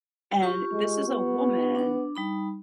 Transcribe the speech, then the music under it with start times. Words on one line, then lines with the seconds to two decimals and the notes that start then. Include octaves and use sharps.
and this is a woman
0.42 F4 G4 C#6
0.72 G#3
1.08 B3
1.75 D4 D6
2.15 G3 D#4 B5